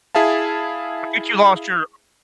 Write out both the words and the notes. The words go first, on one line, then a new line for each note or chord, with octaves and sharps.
I think you lost your,
E4 G#4 E5 F5 A5